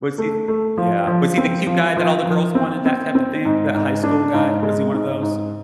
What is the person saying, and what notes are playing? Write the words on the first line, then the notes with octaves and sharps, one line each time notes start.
Was he Yeah. Was he the cute guy that all the girls wanted, that type of thing? That high school guy? Was he one of those?
A3
A3
F3
F3
C4
F3
F3
F3
C4
C4
C4
G#2
G#2
D4
G#2
G#3
G#2
G#2